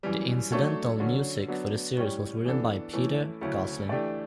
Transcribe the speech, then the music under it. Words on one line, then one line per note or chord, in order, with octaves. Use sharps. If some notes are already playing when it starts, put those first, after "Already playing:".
The incidental music for the series was written by Peter Goslin.
F#2 E3 G3
F#3 A3 D4 A4 C#5
D3 F#3 C#4
F#3 B3 D4
A2 G3 C#4 G4 C#5
E3 B3 D4 A4
E3 A3 C#4 E4 A4
D2 C#3 F#3 C#4 E4
E3 A3 D4 G4 D5